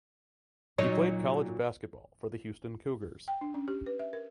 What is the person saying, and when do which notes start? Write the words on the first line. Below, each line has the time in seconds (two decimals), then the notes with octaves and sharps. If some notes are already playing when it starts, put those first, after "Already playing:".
He played college basketball for the Houston Cougars.
0.78 A#2 F#3 D#4 C#5
3.28 G5
3.41 D4
3.54 C#4
3.68 G4
3.86 B4
3.99 E5
4.13 A#4